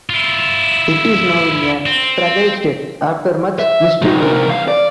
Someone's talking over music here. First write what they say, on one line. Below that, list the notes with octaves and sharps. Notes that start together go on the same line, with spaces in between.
It is now in a fragile state after much mistreatment.
E4 F4
C4
E5
F3 D#4
C3 A#4
E2 F5
D5